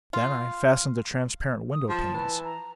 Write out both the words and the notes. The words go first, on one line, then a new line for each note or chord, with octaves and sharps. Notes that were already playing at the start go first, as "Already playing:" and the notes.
Then I fastened the transparent window panes.
F4
D#6
F3 A5
E3
A#5